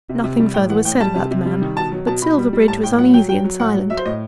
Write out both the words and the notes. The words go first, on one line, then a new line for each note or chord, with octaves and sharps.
Nothing further was said about the man, but Silverbridge was uneasy and silent.
C3
C3
G3
A2 G5
E3 F#5
A2 G5
G3 A5
C3
C3
G3
D#3
B2 A5
F#3
B2 A5
B2 B5
G3
G3
A2 A5
A2 G5
F#3 F#5
F#3 G5
F#3 G5
F#3
A2 F#5
F#3
F#3 E5
C5
A2 D#5